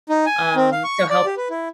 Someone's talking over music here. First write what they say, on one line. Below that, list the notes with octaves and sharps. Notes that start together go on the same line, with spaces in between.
Um, so help
D#4
G#5
C4
F5
C#6
D5
G4
B4
E4